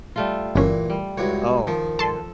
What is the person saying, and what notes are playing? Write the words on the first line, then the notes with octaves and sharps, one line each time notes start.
Oh, yeah.
G3 A3 F4
G1 A#2 E3 C#4
G3
C#2 G2 F#3 E4 C#5
D#3 F3
A4 A5 C6